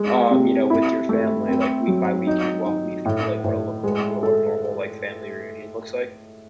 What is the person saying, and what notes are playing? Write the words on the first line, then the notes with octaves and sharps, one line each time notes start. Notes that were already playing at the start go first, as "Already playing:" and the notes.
um, you know, with your family, like, week by week? Can you walk me through, like, what a look a what what a normal, like, family reunion looks like?
Already playing: G#3
C3
E4
A3
C4
F#3
D#4
D#4
A2
A2
G#3
A4